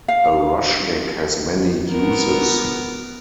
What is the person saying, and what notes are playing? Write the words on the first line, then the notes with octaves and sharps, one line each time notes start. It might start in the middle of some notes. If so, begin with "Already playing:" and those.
A Rushnyk has many uses.
F5
B3 A#4